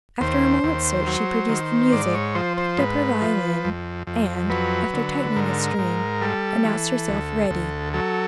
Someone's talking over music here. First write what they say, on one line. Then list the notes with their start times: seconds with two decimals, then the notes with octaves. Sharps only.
After a moment's search she produced the music, picked up her violin, and, after tightening a string, announced herself ready.
0.21 D#2 C5
0.64 D#2
1.07 F#3
1.49 D#3
1.92 G#2 D5
2.14 C#5
2.35 F3 C5
2.57 C5
2.78 G#2 B4
3.21 F3
3.64 F2
4.07 F2
4.50 F#3 B4
4.93 D3
5.36 G#2 A#4
5.79 G#2
6.21 G3 A4
6.65 E3
7.08 D2
7.50 D2
7.93 F#3 A4